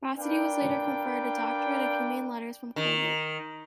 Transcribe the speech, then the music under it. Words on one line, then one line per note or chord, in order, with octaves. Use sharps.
Bossidy was later conferred a doctorate of Humane Letters from Colgate.
D4 A#4 B4 D5 F5 G5
D#3